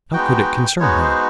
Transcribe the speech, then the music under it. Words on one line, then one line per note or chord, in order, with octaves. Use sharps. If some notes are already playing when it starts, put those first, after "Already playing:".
How could it concern her?
G#3 B3 D#4 F#4 G5
G#3 B3 D#4 F#4 C#5
C5